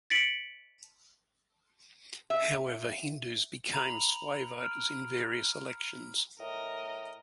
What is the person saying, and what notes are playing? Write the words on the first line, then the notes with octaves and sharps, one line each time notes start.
However, Hindus became sway voters in various elections.
A6 B6 C#7 D7 F#7
E5
A#5 B5 F7 F#7
F6 D7
A2 A#4 D#5